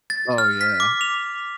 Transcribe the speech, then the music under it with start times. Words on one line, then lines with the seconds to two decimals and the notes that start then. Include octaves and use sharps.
Oh, yeah.
0.10 A6
0.38 F6
0.61 B6
0.80 D6
1.01 F7